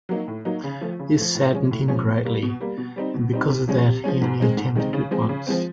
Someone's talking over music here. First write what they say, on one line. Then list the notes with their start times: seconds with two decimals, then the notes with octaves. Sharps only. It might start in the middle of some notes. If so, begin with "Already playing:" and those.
This saddened him greatly, and because of that, he only attempted it once.
0.09 F#3 A#3 D#4
0.28 A2
0.45 F#3 A#3 D#4
0.64 C#3
0.81 F3 A3
0.99 C#3
1.17 F3 A3
1.35 A2
1.53 F3 G#3 C#4
1.71 A2
1.88 F3 G#3 C#4
2.06 B2
2.25 G3 A#3
2.43 B2
2.61 G3 A#3
2.78 B2
2.96 G3 C4 D#4
3.14 B2
3.32 G3 C4 D#4
3.49 C3
3.68 F3 G#3 C#4
3.86 C3
4.04 F3 G#3 C#4
4.22 G#2
4.40 D#3 G#3 C4 D#4
4.57 G#2
4.75 D#3 G#3 C4 D#4
4.93 C#3
5.11 F3 G#3 C4
5.29 C#3
5.47 F3 G#3 C4